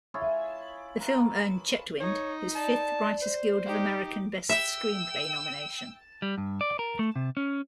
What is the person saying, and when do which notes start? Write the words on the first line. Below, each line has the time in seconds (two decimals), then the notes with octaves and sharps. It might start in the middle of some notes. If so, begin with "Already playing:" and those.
The film earned Chetwynd his fifth Writers Guild of American "Best Screenplay" nomination.
0.14 E4 F4 G#4 C#5
1.00 A#4 B4
2.00 D#4 C#5
2.55 D5 A5
3.22 C5
3.66 D#4 G4
4.49 E5 G5 E6
6.22 G3
6.38 G2
6.61 D5
6.79 A#4
6.99 A3
7.16 C3
7.37 C#4